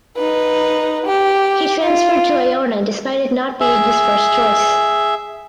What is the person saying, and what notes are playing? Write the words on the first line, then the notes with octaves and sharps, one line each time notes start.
He transferred to Iona despite it not being his first choice.
D#4 B4
G4
F4
G#4 E5